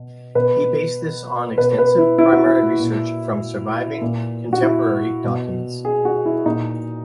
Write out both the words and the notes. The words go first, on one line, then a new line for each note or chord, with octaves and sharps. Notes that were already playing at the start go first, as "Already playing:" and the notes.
He based this on extensive primary research from surviving contemporary documents.
Already playing: B2
B2 B4
B2 B4
B4
E4
E4
F#4
E4
A#2
A#2
F#4
E4
B2
G#4
F#4
E4
A#2 D#4